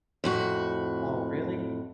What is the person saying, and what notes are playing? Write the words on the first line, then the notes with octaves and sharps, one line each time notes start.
Oh, really?
F2 A2 F#4